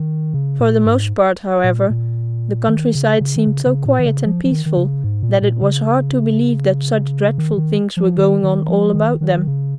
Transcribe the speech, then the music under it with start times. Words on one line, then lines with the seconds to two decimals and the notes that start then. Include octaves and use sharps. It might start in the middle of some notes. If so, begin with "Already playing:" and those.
For the most part, however, the countryside seemed so quiet and peaceful that it was hard to believe that such dreadful things were going on all about them.
Already playing: D#3
0.34 C#3
0.60 A#2
0.85 G#2
1.64 A#2
1.90 A#2
2.68 D#3
2.95 C#3
3.21 C#3
3.36 D#3
3.46 C#3
3.66 C#3
3.86 A#2
3.99 D#3
4.06 C#3
4.25 F3
4.44 F3
4.51 D#3
4.66 D#3
4.77 C#3
5.04 G#2
5.23 A#2
5.42 A#2
5.62 C#3
7.38 D#3
7.57 D#3
7.97 F3
8.17 D#3
8.43 D#3
8.68 F3
8.94 D#3
9.21 D#3
9.47 C#3